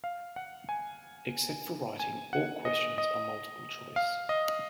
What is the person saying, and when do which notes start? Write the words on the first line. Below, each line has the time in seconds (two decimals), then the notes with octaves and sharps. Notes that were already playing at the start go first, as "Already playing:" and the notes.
Except for writing, all questions are multiple-choice.
0.04 F5
0.36 F#5
0.69 G#5
2.00 G#5
2.33 F#5
2.65 D#5
2.98 D#5
3.96 F5
4.29 D#5